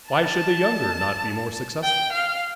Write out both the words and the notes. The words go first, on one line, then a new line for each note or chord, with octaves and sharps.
Why should the younger not be more successful?
A5
G5
F5